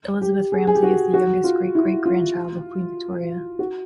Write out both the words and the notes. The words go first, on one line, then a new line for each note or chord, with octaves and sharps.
Elizabeth Ramsay is the youngest great-great-grandchild of Queen Victoria.
G4
G#4
G#4
G4
F#4
F#4
F4
E4
F4
F#4